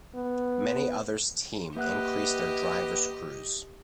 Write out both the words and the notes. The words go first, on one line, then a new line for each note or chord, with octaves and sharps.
Many others team increase their drivers crews.
B3
A#3 G4 B4 D#5 F#5 F#6